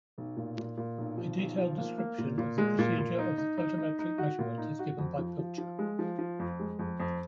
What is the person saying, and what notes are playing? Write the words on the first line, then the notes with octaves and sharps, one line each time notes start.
A detailed description of the procedure of the photometric measurement is given by Pilcher.
B1
A#2
A#2
A#2
B1
F3
B1
F3
A#3
A#3
A#2
A#2
G#3
A#2
A#2
D#4
D#4
D#4
D#4
D#4
F#4
A#2
D#4
F#4
F2
F3
F3
F3
G#3
F3
F3
F2
G#3
F2
F2